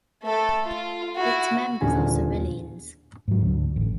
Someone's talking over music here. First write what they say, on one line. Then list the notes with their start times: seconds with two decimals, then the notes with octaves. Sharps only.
Its members are civilians.
0.23 A3 A4
0.65 F4
1.16 E4 F#4
1.81 D#1 E2 D3 F4 G#5
3.28 G#2 F#3
3.41 D2
3.76 A1